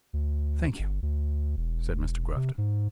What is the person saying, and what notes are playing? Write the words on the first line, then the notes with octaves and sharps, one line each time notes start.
"Thank you," said Mr. Grafton.
D2
G1
D2
E1
C3
G#2